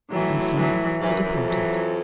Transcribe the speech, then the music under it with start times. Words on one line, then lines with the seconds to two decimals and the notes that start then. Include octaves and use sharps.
And so he departed.
0.10 A2 E3 F#3
0.56 E3 F#3
1.00 G#2 E3 F#3
1.12 F#2
1.23 F#2
1.34 F2
1.46 E3 F#3